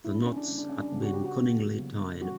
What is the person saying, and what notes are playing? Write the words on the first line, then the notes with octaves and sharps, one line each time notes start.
The knots had been cunningly tied.
E3 A#3 C#4 E4
D4
C#4
D4
C#3 G3 A#3 C#4
D4
C#4
D4
C#3 G3 B3
F#4
G4
F#4
E3 A#3 C#4
C#3 F#3 B3
E3 G3 C#4 F#4